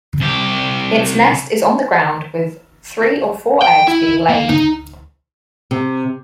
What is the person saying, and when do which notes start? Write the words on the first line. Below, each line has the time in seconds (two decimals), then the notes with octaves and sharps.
Its nest is on the ground, with three or four eggs being laid.
0.20 C2 G4
3.62 G5
3.88 E4
4.29 A#3
4.49 D#4
5.71 C3